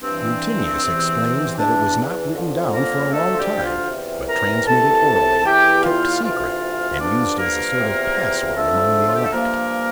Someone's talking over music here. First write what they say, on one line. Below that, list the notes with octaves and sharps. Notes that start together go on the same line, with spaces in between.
Rutinius explains that it was not written down for a long time, but transmitted orally, kept secret, and used as a sort of password among the elect.
G2 E3 C4
E2 C3 E3
E2 E3 D4
F2 D3 F3
A#3 A#4
D2 D3 F3 A3 A4
F4
G3 G4
G5
F4 F5
E2 C3 E3
A#4 A#5
C2 C3 E3 A4 A5
E2 E3 G4 G5
F4 F5
D2 C3 E3 F4 F5
G2 D3 F3 D4 D5
A#3 A#4
E2 C3 F3
F2 D3 F3 A3 A4
F4
G4
A4
G2 F3 A#3 A#4